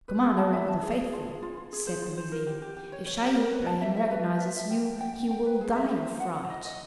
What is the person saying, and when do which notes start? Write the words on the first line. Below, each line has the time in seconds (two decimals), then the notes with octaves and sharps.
"Commander of the Faithful," said the vizir, "if Scheih Ibrahim recognises you he will die of fright."
0.08 B4
0.23 G#4
0.38 A5
0.53 E5
0.68 A5
0.83 G#4
0.98 G#4
1.13 F4
1.27 G#4
1.42 F4
1.57 F4
1.73 G#4
1.87 C5
2.02 F4
2.17 C5
2.32 A#4
2.47 G4
2.62 G4
2.77 G4
2.92 C#5
3.06 C#5
3.22 G4
3.36 A#4
3.52 B4
3.66 A5
3.81 E5
3.97 E5
4.11 B4
4.26 B4
4.41 E5
4.56 E5
4.71 G5
4.85 G5
5.01 G5
5.16 G5
5.31 G5
5.46 B4
5.61 G#4
5.76 E5
5.90 C5
6.05 C5
6.20 F#5
6.35 F#5
6.50 D#5
6.65 D#5